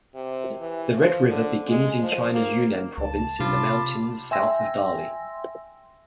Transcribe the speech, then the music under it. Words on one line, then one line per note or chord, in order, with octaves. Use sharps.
The Red River begins in China's Yunnan province in the mountains south of Dali.
C3
E3
F3
D3
G#3
F3
A#3
C#2 A5
C3 D4 F4 B5 D6
E5 G5 G#5 C6 E6 A#6